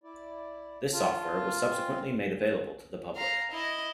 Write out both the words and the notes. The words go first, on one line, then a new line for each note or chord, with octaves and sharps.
This software was subsequently made available to the public.
E4 D5
F4 A5
G#3 C4
A#2
F5 A#5
E4 D#5